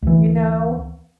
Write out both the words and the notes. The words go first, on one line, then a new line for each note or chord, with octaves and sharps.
you know?
D2 E3